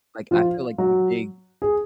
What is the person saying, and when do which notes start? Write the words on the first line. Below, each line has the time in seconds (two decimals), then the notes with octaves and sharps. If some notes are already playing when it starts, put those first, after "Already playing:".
like, I feel like the big
0.31 F3 F4
0.78 F#3 F#4
1.62 G#4